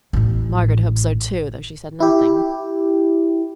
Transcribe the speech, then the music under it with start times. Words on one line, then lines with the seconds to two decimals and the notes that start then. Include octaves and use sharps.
Margaret hoped so too, though she said nothing.
0.13 A1 A2
2.00 E4 G4